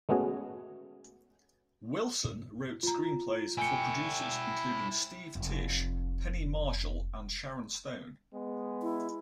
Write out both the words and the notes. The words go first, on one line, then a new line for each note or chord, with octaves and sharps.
Wilson wrote screenplays for producers including Steve Tisch, Penny Marshall, and Sharon Stone.
G#3 A3 B3 C#4 F#4 G#4
F4 A#5
E4 G5 G#5 C#7
F1 C4
G#3 B3
E4